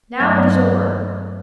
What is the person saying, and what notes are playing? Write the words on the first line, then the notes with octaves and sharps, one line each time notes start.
Now, it is over!
G2 F#3 A3 B3 E5 F5